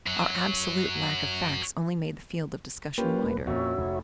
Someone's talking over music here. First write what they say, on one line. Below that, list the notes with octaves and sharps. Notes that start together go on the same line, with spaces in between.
Our absolute lack of facts only made the field of discussion wider.
F#2 F#3
A#3 C#4 F4 G4 B4
D#1
F2 A#2 C#4 F#4 C#5 E5
F1